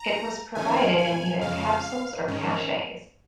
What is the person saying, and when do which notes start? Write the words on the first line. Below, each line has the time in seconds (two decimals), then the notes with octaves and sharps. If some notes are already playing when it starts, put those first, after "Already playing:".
It was provided in either capsules or cachets.
Already playing: A#5
0.55 F2 D#3 C#4 G#5
0.98 G#5
1.41 F2 C#3 G#3 F5
2.28 G#2 D#3 C#4